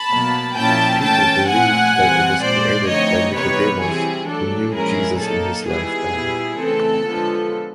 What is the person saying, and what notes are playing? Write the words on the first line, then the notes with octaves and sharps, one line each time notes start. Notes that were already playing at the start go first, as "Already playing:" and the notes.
People believe that it was created by Nicodemus who knew Jesus in his lifetime.
Already playing: A5 B5
B2 F#3 A#3
A#2 F3 A#3 C#4 E4 G5 A5
E3 A3 C#4 G5 A5
A#2 F3 A3 C4 F#5 G#5
E3 G3 C4
A#2 F3 G#3 C5 D5
D3 F3 A3 C4 D#4 C#5 D#5
C3 E3 G3 B3 D#4 B4 C#5
E3 G3 C4 E4 G#4
F#3 A3 D4 A4
A#2 F3 G#3 C#4 E4 G#4 A#4
F#3 A#3 D#4 A4
D#3 G3 B3 E4 G#4
A#2 G3 B3 E4
C#3 E3 A3 C4 A4
D3 F3 G#3 B3